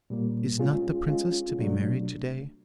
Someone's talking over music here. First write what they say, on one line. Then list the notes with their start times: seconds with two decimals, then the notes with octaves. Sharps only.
'Is not the princess to be married to-day?'
0.10 A#2 G3 A#3
0.59 G#3 C#4 F4 G#4
1.08 G#3 C#4 F4 G#4
1.58 B2 F#3 A3 D4